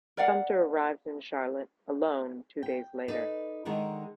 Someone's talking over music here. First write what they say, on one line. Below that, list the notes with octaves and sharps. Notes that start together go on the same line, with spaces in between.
Sumter arrived in Charlotte, alone, two days later.
A#4 D5 F5 F#5
G5
D#4 A4 B4 D5
D3 D#3 G#3 D4 D#4 A#4